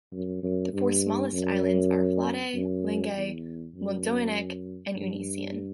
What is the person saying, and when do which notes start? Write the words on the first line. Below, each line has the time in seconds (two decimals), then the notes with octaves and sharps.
The four smallest islands are Flodday, Lingay, Muldoanich and Uineasan.
0.12 F#2
0.43 F#2
0.73 G2
1.34 F#2
2.54 F#2
3.14 E2
3.75 F#2
4.96 G2